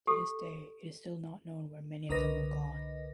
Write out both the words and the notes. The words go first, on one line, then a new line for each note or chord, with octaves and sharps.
To this day it is still not known where many of them have gone.
G4 A4
C2 D3 A#4 B4 D#5 A#6